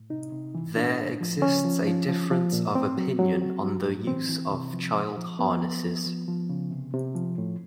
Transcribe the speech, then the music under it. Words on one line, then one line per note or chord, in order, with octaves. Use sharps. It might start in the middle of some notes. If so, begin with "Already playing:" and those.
There exists a difference of opinion on the use of child harnesses.
Already playing: A2
C3 D#4
C3
E3
A2 D4
A2
F3
C#3 C#4
F3
F3
F3
F3
A#2
A2 C4
F#3
F#3
F#3
F#3
A2
E3 C4
E3
C3
F3
A#2
F3
F3 B3
F3
F3
F3
F3
C#3
C3
C3
F3
A2